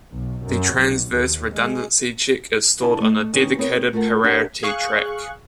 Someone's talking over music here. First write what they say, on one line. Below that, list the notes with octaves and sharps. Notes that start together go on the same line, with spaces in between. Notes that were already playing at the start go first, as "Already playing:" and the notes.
The transverse redundancy check is stored on a dedicated "parity track".
B1
F#2
B1
D#2
G#3
C#3 D4 E4 D5 A5
A3 D#5
D#3 C#4 D#4 B4
B3 C4 E4 G#4 A#4 C#5
A3 F4 A4 A#4 F#5
D4 G4 A#4 B4 D#5 F#5
G#4 F5 C#6 F#6